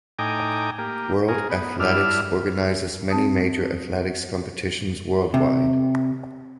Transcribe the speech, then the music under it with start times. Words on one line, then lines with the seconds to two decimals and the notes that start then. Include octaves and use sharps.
World Athletics organizes many major athletics competitions worldwide.
0.19 A2 D#4 G5 G#5 A#5 D6
0.78 A#3 G4
1.28 G#4 A#4
1.50 B3
1.80 G2 D4 E4 F6
3.10 C4 A5 D#6
5.34 C3